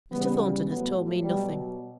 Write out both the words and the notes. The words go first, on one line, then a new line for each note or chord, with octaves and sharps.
Mr. Thornton has told me nothing.
C#3 E3 G3 B3
A2 F#3 B3
B2 F#3 G3